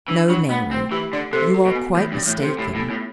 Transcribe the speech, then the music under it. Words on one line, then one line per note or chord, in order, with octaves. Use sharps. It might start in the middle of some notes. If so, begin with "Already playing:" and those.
No, Mary, you are quite mistaken.
E3 D4
F#3 D4
A3 B3
A3 C4
E3 G4
D3 D5
C3 A4
F#4
B2
B3
A2 E3
G2
E3
A2
A4
C3
A2 G4
A2
B3
A2